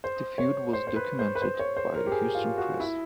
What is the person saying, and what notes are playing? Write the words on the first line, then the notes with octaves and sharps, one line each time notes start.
The feud was documented by the Houston Press.
C5
C#5
C5
C5
B4
C5
B4
C5
C#5
C5
A#4
G4
G#4
F4
F#4
E4